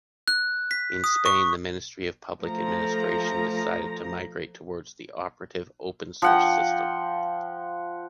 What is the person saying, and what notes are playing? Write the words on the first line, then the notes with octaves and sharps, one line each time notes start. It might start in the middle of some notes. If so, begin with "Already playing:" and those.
In Spain the Ministry of Public Administration decided to migrate towards an operative open source system.
F#6
B6
D#6
C#6
F3 A3 A#5
F3 F#5 G5